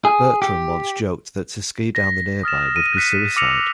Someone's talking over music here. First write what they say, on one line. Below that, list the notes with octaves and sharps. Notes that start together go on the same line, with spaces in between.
Bertram once joked that to ski down the nearby would be suicide.
G#4
G4
A#6 B6
D#6 F6 A6 E7
D#7
F#6 B6 C#7
D6 E6 F6 A#6 C#7 F7